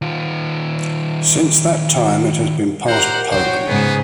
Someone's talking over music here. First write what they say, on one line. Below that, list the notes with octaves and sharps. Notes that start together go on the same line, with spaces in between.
Since that time it has been part of Poland.
D#3 F4
G4 A#4 C5 F#5
F#4 C5 C#5 G5
G#2 C#3 B3 G#4